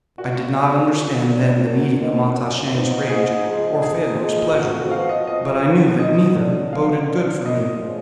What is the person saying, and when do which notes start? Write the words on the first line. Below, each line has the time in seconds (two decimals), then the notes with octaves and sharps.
I did not understand then the meaning of Matai Shang's rage or Phaidor's pleasure, but I knew that neither boded good for me.
0.18 A#2 F#4
0.54 F#3 D4
0.91 A#2
1.27 F#3 D4
1.64 F#2
2.00 F3 B3 D#4
2.36 F#2
2.72 F3 B3 D#4
3.09 G#2 G#4
3.45 F3 G#3
3.81 G#2 G#4
4.18 F3 G#3
4.54 F2 F#4
4.73 F#4
4.91 F3 B3 F5
5.09 D#5
5.27 F2 D#5
5.64 F3 B3
6.00 B2 D#5
6.36 F#3 D4
6.73 B2 F5
7.09 F#3 D4
7.46 F#2 D#5
7.82 F3 G#3 D4 F4